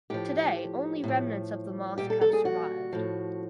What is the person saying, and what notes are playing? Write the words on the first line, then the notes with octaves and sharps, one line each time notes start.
Today only remnants of the mosque have survived.
A2 F3 G4
A2 F3
A#2 G3 G4
A4
A4
G#4
F#4
A2 F3